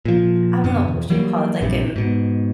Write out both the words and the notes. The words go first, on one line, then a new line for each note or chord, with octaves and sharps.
I don't know what you call it, like in
A#2 F3
F#2 B2 D3 B3
E2
E3 F#3 G3 A#3
A#1 G2 C3
G#2 B2